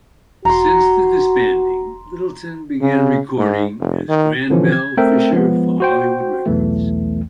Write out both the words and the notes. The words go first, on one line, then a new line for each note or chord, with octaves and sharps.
Since the disbanding, Littleton began recording as Gran Bel Fisher for Hollywood Records.
E1 F#4 A#5 C6
C#3
G#2
F1
D#3
D3 E3 F3 C#4
G#6
A3 C4 A#4 E5 G5
F3 G#3 B3
F#4 C5 G5
B1 E2 E3 A3